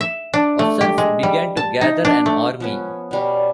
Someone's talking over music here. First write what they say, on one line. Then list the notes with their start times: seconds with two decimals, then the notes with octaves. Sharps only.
Osulf began to gather an army.
0.01 E5
0.34 D4
0.59 A3
0.81 G4
0.98 G#3
1.23 G3
1.57 A5
1.81 D#4
2.05 D4
2.26 A3
2.60 F3 B3 C#4
3.11 B2 G3 C#4